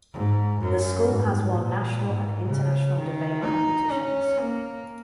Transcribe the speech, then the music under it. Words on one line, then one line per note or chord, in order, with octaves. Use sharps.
The school has won national and international debate competitions.
G#2
F#2
G#2
A#2
G#2
C#3
D#3
D#4
C#4
A#3